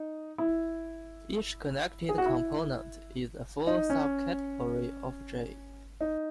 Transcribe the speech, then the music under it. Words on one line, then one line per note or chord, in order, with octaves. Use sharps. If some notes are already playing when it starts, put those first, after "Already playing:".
Each connected component is a full subcategory of "J".
Already playing: D#4
E4
G#4
F#4
E4
D#4
C#4
D#4